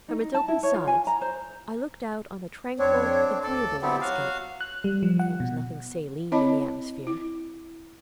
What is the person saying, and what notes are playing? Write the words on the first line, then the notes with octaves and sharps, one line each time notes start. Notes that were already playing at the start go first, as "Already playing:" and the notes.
From its open sides I looked out on a tranquil, agreeable landscape; there was nothing saline in the atmosphere.
D#4
D#4
A5
E4
C#5
F4
G#5
A#5
C5
F2 C4 D4 C#5
D2 A4 D5
B2 F#3 B3 C4 E4 G4
F#3 F#4 F5
F#6
G3
F3
F#5
B2
C4 E4 C#5 D#5 A5 B5
E4